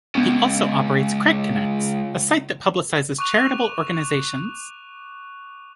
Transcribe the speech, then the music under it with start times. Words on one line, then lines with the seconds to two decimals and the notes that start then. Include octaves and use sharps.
He also operates Craigconnects, a site that publicizes charitable organizations.
0.15 C#2 B3 C#4
3.18 C#6 D6 F#6 D#7 F7